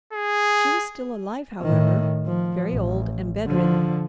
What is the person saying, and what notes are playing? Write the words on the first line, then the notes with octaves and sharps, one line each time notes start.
She was still alive, however, very old, and bedridden.
G#4
A2 D#3
F3
A1
D3 F3